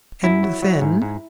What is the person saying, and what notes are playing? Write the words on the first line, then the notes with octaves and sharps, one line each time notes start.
"And then?"
F#2 E4
F#3
F#3
G#2
G#2